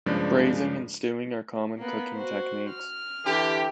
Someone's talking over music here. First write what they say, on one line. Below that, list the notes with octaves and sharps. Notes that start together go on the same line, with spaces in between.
Braising and stewing are common cooking techniques.
G2 C#3 F3 G#3 A#3 D4
A#3 B3
F#4 C5
F6
D3 E3 G4